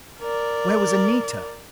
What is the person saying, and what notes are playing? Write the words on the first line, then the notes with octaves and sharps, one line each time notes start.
Where was Anita?
A#4 D5